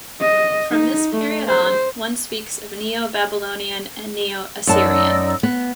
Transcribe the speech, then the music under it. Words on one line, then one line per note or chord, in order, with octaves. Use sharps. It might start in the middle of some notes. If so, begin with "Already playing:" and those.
From this period on, one speaks of Neo-Babylonian and Neo-Assyrian.
D#5
D#4
A3
C5
F#2 D#4 D5 A5 E6
B3